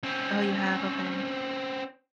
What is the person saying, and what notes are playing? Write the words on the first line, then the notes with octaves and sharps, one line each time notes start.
Oh, you have? Okay.
C4 C#4